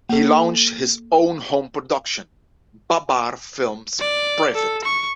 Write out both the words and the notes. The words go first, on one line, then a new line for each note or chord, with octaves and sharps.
He launched his own home production; Babbar Films Pvt.
A#3 A4
D5
A4
C#6